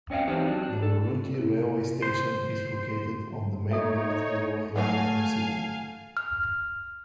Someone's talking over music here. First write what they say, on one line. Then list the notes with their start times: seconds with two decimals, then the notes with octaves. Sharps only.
Murrurundi railway station is located on the Main North railway line, from Sydney.
0.10 C4 C#4 D#5 F5 G5
0.27 E3 C4 D4 D#4 G4 C5
0.46 F#3 D4
0.63 D4
0.82 A4
1.34 C3 E4
2.02 C5
3.71 D#4 A4 C#5 E5
4.76 F#3 A3 F5 G#5
6.17 F6